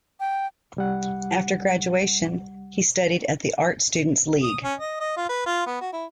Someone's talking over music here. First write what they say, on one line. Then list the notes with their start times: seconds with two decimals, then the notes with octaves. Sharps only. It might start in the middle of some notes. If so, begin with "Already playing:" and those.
After graduation, he studied at the Art Students League.
0.20 G5
0.76 C2 G3 F#5
4.43 D#6
4.64 C#4
4.79 D#5
5.01 D#5
5.17 F4
5.29 B4
5.46 F4
5.67 B3
5.81 F#4
5.93 E4